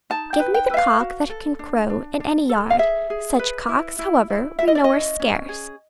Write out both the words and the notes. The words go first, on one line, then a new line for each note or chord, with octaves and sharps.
Give me the cock that can crow in any yard; such cocks, however, we know are scarce.
D#4 A5
G5
B4
G5
B4 E5
F5
F#4
A4
D4
D4
D4
A4
F5
G#4 E5
G#4
B4
E4
E4
E4
E4 E5
D#5
D5
C#4 D#5
C#4
G#4